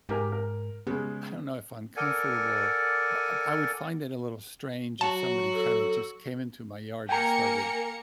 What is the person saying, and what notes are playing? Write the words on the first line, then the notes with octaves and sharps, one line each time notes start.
I don't know if uncomfortable, or but, uh, I would find it a little strange if somebody kinda just came into my yard and started
G#2 G4 A#4 G#5
A#4
C#3 G#3 B3
A4 A#4 D5 F#5 G#5
F#3 F#4 A5
A4
A#3 A#4 G5 G#5 A#5 C#7